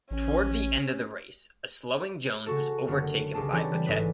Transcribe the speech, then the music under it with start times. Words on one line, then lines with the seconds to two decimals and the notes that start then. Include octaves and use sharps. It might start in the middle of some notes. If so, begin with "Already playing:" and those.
Toward the end of the race, a slowing Jones was overtaken by Piquet.
0.11 A1 C#4
2.46 C#3 F#4 A4
2.87 F#1 D3 F#4 F6
3.34 B1 C#3 G4 G#4 A5
3.52 E3 C4 D#4 G4 C#5 D5
3.73 G3
3.86 A1 G#2 G#3 B4 B6